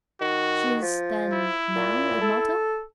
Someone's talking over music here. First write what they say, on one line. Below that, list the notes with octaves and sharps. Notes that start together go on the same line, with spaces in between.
"She is, then, now at Malta?"
D#3 F#4
F3
E4
A#2
A4